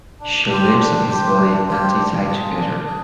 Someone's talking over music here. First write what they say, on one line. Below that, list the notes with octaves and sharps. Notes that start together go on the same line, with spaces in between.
She leaps on his body and they die together.
D4
G4 C5
D4
G4 C5
D4
G4 C5
D4
F4 G#4
D4
G#4